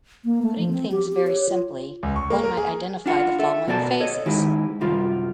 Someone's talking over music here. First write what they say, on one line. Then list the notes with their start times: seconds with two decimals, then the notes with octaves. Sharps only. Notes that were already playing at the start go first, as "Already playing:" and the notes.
Putting things very simply, one might identify the following phases.
0.25 A#3
0.43 A3
0.58 F3
0.73 C4
0.91 G4
1.12 G4
1.27 C#5
1.49 F4
2.03 C#2
2.16 C#6
2.30 A#3
2.44 A#4
2.57 G#4
3.06 D4 F4 F#5
3.39 A4 E5
3.67 B2 B3 F#4 D5 G5 A5
4.00 A4 C#5 D#5
4.26 D#3 G#3 E4 G4
4.81 C2 F#2 G3 F4